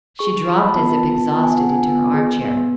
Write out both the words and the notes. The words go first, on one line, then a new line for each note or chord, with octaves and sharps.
She dropped as if exhausted into her armchair.
G#4 C#6
F4
B5
A5
B3
A5
F4
A5
B3 A5
G#5
F4 F#5
G#5
B3
G#4
B3